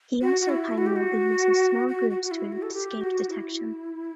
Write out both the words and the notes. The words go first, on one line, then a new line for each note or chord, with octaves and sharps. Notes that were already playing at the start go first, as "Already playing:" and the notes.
He also pioneered the use of small groups to escape detection.
F#4
F#4
E4
F#4
G4
F#4
F#4
F#4
F#4
E4
F#4
A4
G4
F#4
E4